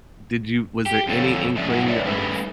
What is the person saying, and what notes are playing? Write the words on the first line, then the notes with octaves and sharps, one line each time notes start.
did you was there any inkling of
G4
F2 C4 A4 C#5
A2 F3 C#4 D4 D#5 E5
G2 F#3 D#4 E4 F#4
D4 B4 C#5 D5 E5
G3 A3 C#4 D#4 B4